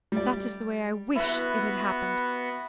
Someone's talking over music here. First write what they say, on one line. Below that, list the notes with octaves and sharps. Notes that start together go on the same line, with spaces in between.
That is the way I wish it had happened.
G3 D5
B3 E4 F#4 B4